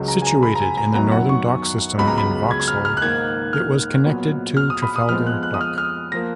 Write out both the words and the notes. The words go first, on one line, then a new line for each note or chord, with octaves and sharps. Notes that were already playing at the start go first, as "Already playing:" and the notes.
Situated in the northern dock system in Vauxhall, it was connected to Trafalgar Dock.
Already playing: C#2 C#3 F#3
A#5
G#5
A#5
B5
A#5
G#5
A#5
F#2 D#3 F#3 B3 A#5
F#5
C#6
C#2 C#3 F#3 B3 B5
A#5
B5
G#6
F6
F6
F#6
G#2 D#3 A#3 G#6
F6
A#2 F#3 B3
F6
D#6
B5
D#6
F2 F3 G#3 B3 F6
F#6
F#6
D#6
F6
F6
F3 A#3 A#6